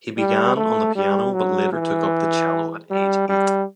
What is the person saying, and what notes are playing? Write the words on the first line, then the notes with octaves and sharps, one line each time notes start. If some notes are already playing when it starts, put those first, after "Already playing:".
He began on the piano, but later took up the cello at age eight.
G3
A3
G3
F#3
E3
G3
G3